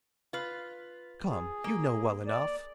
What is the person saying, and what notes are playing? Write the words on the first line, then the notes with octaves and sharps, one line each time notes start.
"Come, you know well enough."
F4 B4
G#4
A#3
D5